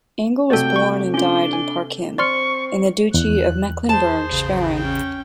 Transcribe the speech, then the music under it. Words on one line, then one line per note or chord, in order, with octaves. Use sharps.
Engel was born and died in Parchim, in the Duchy of Mecklenburg-Schwerin.
C3 A3 F#4 A4 D5 G5
C#6
C#4 D4 F4 G7
G#5
C4 D5 C6 C#6 F6
E2 F#6
G#4 C5 A5
A1 C#3
C#4 G5